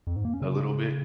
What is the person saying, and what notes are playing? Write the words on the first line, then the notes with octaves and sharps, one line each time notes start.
a little bit,
F2
G#2
A#3
C#4
C#3